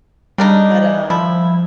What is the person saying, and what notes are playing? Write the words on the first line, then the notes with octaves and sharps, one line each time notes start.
but, um
C#3 G3 D4 D#4
F3 E4